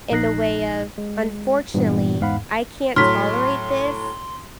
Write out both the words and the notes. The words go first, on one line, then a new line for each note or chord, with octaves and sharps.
in the way of, "Unfortunately, I can't tolerate this,
A#1 D#4 F#6 A#6 C7
G#3
G2 A#2 E3 B3
E2 G#2 F5 F#5 B5
A2 F#3 C6 F6 B6